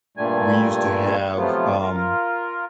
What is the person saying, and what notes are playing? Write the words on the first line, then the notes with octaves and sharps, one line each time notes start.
we used to have um,
G2 A#2 G3 A3 G#5
C3 F3 F#3 A3 B3 F4
F4 A#4